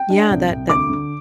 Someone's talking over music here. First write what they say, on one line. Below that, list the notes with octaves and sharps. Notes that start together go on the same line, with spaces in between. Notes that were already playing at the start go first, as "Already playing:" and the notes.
Yeah, that that p
Already playing: G5
D4
C2
C2
D2 D6
D3